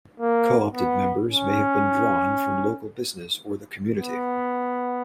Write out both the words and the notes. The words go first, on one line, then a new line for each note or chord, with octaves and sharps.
'Co-opted' members may have been drawn from local business or the community.
A#3
B3
C#4
B3